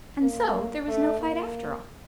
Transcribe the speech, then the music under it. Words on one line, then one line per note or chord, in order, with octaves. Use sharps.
And so there was no fight after all!
A#3
A3
A#3